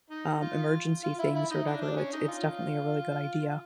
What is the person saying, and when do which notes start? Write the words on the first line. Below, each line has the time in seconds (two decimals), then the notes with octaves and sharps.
um, emergency things or whatever, it it's definitely a really good idea.
0.10 D#4
0.42 F4
1.04 F4
1.19 E4
1.35 E4
1.51 D#4
1.66 D4
1.82 D4
1.97 C#4
2.13 D#4
2.28 F4